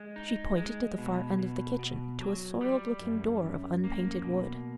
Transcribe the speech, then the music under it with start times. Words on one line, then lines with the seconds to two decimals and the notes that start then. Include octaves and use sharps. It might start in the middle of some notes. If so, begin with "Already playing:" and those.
She pointed to the far end of the kitchen to a soiled looking door of unpainted wood.
Already playing: G#3
0.16 D#4
0.57 G#3
0.98 B2
1.39 B2
1.79 B2
2.20 F#3
2.61 G3
3.01 F#2
3.42 F#2
3.84 A#3
4.24 B2